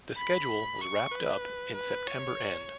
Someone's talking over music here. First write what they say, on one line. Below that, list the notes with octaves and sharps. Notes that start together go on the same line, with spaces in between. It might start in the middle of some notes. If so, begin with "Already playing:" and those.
The schedule was wrapped up in September end.
B5
C#6
B4
B4
C#5